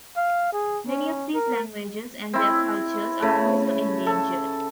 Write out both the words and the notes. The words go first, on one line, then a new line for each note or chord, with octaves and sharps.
Many of these languages and their cultures are also endangered.
F5
G#4
C#4
A#4
C4 E4
C#3 A3
A4